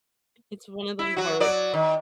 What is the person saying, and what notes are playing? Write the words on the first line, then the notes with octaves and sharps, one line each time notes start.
It's one of those words.
E4
F#3 F#4
F#3 D5
D#3